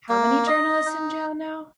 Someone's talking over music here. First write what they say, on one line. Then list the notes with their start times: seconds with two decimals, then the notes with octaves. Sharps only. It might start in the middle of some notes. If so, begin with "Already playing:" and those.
How many journalists in jail now?
0.09 A#3
0.47 D#5
0.86 D#4